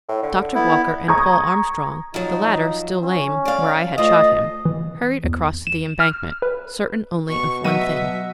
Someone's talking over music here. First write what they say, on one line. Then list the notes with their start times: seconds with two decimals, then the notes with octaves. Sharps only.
Doctor Walker and Paul Armstrong--the latter still lame where I had shot him--hurried across to the embankment, certain only of one thing.
0.09 A2
0.23 D3
0.55 B3 E4
1.08 A#5 C#6 D#6 G#6
2.14 F3 F#3 D#4
3.03 C#4
3.45 D5 F5
3.98 A3 F4 C5 D#5
4.65 E3
5.24 E2
5.67 E7
6.00 F6
6.42 B4
7.29 B2 C#6
7.64 F#3 D#5 E5 F#5 D#7